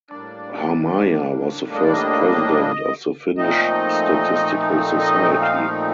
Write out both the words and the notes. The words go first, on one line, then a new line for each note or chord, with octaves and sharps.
Harmaja was the first president of the Finnish Statistical Society.
A2 G3 A#3 D4 D5
D#5
D5
D#5
A#2 F3 A3 C4 D#4 D#5
D#5
F5